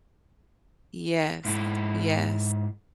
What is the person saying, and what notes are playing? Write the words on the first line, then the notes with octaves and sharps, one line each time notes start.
Yes, yes.
G#2 E4